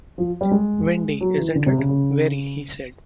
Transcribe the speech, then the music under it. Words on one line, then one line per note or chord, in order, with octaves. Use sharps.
Windy, isn’t it?’ ‘Very,’ he said.
F3
G3
G#3
F#3
E3
D3
C3
C#3
C#3